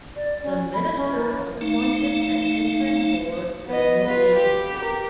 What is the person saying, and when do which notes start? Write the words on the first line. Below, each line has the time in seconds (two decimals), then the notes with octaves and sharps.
The Minister appointed an interim board for the new agency.
0.16 D5
0.43 C#4
0.74 B5
0.96 C#4
1.16 A#3
1.61 A3 D#4 F5
3.68 B3 D#5
4.04 F4 B4
4.34 G4
4.76 G4 A#4